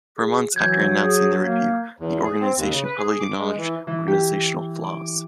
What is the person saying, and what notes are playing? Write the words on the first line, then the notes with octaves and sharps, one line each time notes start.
Four months after announcing the review, the organization publicly acknowledged organizational flaws.
G#4
E3 F#3 G6 G#6
G#4
A#3
E2
G#4
C4
D#2
C#3
B4
G#4
D6
G#3
E3
E3
G4
D6